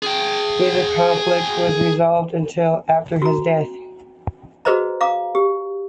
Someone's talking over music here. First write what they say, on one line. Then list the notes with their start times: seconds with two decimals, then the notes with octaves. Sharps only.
Neither conflict was resolved until after his death.
0.03 G#4 G5
3.22 F#4 A#5
4.65 F#4 G#4 B4 C5 D#5 A#5
5.01 F5 A#5 D6
5.35 G4